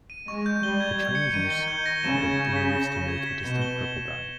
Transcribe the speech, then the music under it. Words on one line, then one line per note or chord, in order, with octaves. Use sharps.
The Chinese use the leaves to make a distinctive purple dye.
D#7
G#3 C#6
G6
G3 G7
G#6
G3 G#6
C#7
D#3 D#7
G7
G6
A#6
C#3 E7
G#6
G#6
B6
E7
G7
G#6
B6
B2 E7
G7